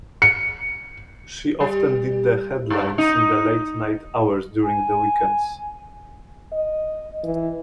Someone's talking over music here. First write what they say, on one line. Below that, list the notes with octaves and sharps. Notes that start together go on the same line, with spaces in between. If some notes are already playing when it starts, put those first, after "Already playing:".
She often did the headlines in the late night hours during the weekends.
C#7
G3
G2
D#4
G#5
D#5
E3